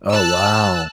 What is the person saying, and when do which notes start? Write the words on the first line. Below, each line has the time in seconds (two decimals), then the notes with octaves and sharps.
Oh wow.
0.12 A5 E6 F#6